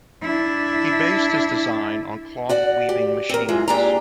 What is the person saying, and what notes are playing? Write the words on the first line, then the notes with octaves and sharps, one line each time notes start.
He based his design on cloth weaving machines.
D4 E4
F#4 D5 F#5
G4
C4 A#4
E3 G#3 F4
A#2 D4 G4 G#4 A#5